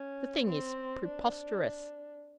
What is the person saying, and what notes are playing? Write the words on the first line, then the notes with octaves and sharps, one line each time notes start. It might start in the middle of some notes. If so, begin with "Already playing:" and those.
The thing is preposterous!
Already playing: C#4
C4
D4